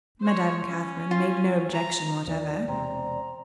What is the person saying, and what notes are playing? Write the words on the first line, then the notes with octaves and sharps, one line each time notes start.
Madame Catherine--made no objection whatever.
C5 C#5
C#4
F4
A#5
D#2 D#3 F3 D5
E1 C3 C4 A#5